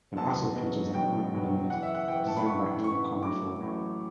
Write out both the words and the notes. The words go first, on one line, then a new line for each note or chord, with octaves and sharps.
It also features an urn monument designed by Helen Comerford.
F#1 E2 B2 F#3 A5
F#1 E2 B2 F#3
F#1 E2 B2 F#3 G5
F#1 E2 B2 F#3
F#1 F#2 E3 F#5
E5
F#5
F#1 F#2 E3 G5
A5
B5
F#1 F#2 E3 C#6
F#1 F#2 E3 C#6
A1 A2 F#3 D6
A1 A2 F#3